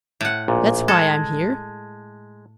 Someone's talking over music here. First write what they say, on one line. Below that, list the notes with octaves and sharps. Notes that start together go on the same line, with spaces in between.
That's why I'm here.
A2 F#5
A#1 A#2
G#3 A4